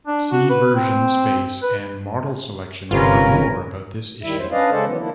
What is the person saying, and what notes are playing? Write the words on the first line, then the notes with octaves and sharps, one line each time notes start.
See Version space and Model selection for more about this issue.
D4
F#4
B4
C4
B4
G1 C3 C#4 F4 A#4 B4
D2 D#3 G3 E4 E5
F#2 F#3 C5
C#4 D4 B4 D5 D#5 F5
C#3 G#3 C#4 A4 C5 D5
D#3 E3 F#3 B3
D#3 F3 A#3 D4 E4